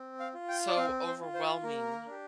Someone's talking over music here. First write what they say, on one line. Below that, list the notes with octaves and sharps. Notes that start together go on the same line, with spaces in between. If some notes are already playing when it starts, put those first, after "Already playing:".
so overwhelming
Already playing: C4
F5
F4
G5
D5
C4 F5
C5
F4
C5
A#3 A#4
D4 G4